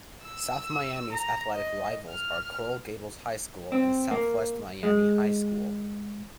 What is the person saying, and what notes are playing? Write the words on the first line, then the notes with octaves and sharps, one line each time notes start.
South Miami's athletic rivals are Coral Gables High School and Southwest Miami High School.
E6
A#5
D#5
F6
C4
A#3
G#3